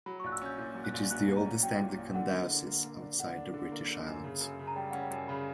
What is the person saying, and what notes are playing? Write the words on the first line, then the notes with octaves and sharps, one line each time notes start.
It is the oldest Anglican diocese outside the British Islands.
F#3 B5
C#6
A#1 F#6
E6
C#4 G6
A#2 G6
F#3
F#6
A#1
F#3 F#6
A#1
A#5
C#4
F#3 G5
A#2
A#1
D3 F#5
A#3
D3
A#3
A#3
D4
D3 F#5
D4
D3
A#3
D3
F#2
C#3
F#2
C#3
A#5
G3 G5
C#4 F#5
G5
F#2
C#3 B5